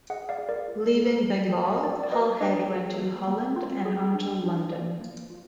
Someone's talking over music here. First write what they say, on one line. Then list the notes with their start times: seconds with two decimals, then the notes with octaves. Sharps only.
Leaving Bengal, Halhed went to Holland, and on to London.
0.10 G#4 D#5 F#5
0.29 D5 F5
0.39 G#4
0.49 A#4 D5
0.68 F4
0.96 F4
1.26 G#4
1.55 F4
1.72 D#5
1.83 F#4 A#4 D5
2.03 D5
2.12 F#4 B4 D#5
2.41 D4 B4 D#5
2.70 G#4
2.99 A#3
3.27 A#3
3.56 F4
3.85 G#4
4.14 D4
4.43 D4
4.72 F4 D5 F5
5.01 A#3
5.30 F4